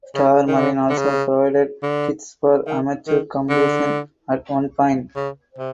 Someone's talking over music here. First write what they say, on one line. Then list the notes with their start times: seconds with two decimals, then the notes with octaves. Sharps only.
Star Marine also provided kits for amateur completion at one point.
0.15 C#3
0.47 D#3
0.56 D3
0.89 D3
0.98 C#3
1.83 D3
2.66 D#3
3.07 D#3
3.49 D3
5.16 C#3
5.58 C3